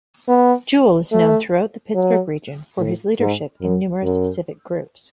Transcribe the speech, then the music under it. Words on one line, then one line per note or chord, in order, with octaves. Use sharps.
Jewell is known throughout the Pittsburgh region for his leadership in numerous civic groups.
B3
A3
F#3
A2
G#2
F#2
F#2